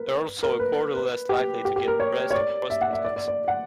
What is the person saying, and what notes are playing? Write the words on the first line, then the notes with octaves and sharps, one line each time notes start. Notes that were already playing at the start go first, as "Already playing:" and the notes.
They're also a quarter less likely to get breast or prostate cancer.
Already playing: A#4 B4
A#4
B4
B4
G4
G4
G4
A#4
C#5
C#5
D5
E5
F#5
E5
D5
D5
D5
F#5